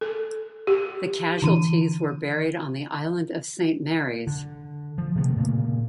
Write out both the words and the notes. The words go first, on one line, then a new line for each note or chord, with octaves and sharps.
The casualties were buried on the island of Saint Mary's.
A4
G4
D3 E3 D#7
D3
F3
C3 D#3 A3
A#2 C#3